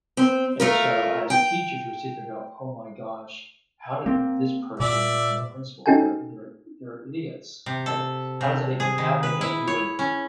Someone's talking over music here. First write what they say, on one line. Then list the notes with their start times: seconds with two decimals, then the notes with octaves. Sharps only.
And so as teachers you would sit there and go, "Oh my gosh, how did this person become a principal? They're they're they're idiots. Like, how does that even happen?" And you would
0.17 C4
0.60 A3 F4 A#4
1.30 G5
4.06 A#3 C4
4.80 A#2 D5 E5
5.86 C#4 D#4 F#4 A4 G5 G#5
7.66 C3
7.86 A4
8.41 C3
8.80 G#4
8.98 D#3
9.23 B4
9.41 E4
9.68 C#5
9.99 C#4